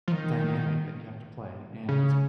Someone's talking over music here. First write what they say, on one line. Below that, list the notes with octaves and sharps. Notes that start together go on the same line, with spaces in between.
dynamic that you have to play, and
F3
D#3
C#3